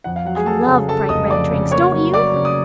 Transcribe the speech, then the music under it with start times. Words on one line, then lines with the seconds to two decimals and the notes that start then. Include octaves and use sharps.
I love bright red drinks, don't you?
0.04 F2 F#5
0.16 F5
0.25 F#3 F#5
0.36 G#4 G#5
0.46 F#3 A4 A5
0.67 C#3
0.89 C#3 A4 A5
1.09 F1 D#5 D#6
1.30 F2 D5 D6
1.51 C#3
1.71 A#3 C#5 C#6
1.92 F#3
2.14 F#3 D5 D6
2.34 C#3
2.45 D#6